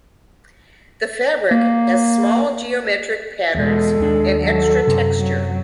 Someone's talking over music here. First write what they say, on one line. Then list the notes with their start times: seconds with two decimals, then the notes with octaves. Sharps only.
The fabric has small geometric patterns and extra texture.
1.51 A#3
3.55 E2 B2 G#3 A4
3.99 D#2 D4
4.43 F#3 A4
4.87 F#2 C3
5.16 F#3